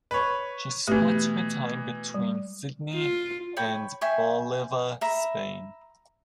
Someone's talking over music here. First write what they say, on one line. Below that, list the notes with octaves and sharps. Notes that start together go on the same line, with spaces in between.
She splits her time between Sydney and Oliva, Spain.
B4 C#5
B2 E3 A3 G4
G3
F4
C#5 G5 B5
E5 G5 G#5 C#6
E5 A#5 B5